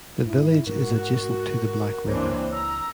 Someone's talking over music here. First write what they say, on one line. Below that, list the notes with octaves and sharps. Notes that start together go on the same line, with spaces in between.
The village is adjacent to the Black River.
G#2 E4
G#2 F#4 A#4
C#2 E3 A#3 C4 D4 C5 C#5
A#5 E6